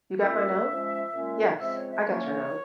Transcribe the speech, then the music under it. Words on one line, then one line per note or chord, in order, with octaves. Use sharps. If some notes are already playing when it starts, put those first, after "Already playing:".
You got my note? Yes, I got your note.
A#2 G#3 C#4 E5
F3 G#3 C#4
A#2 G#3 C#4
C#3 F3 G#3 C4 E5
C#5
E5
E3 A#3 C#4 C#5